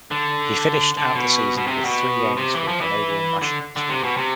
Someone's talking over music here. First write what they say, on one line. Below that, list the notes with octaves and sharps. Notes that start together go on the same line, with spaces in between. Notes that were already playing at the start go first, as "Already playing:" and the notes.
He finished out the season with three games for the Canadian national team.
D3
D3
B2
B2
C3
B2
C3
E3
F3
E3
D3
D3
C3
B2
C3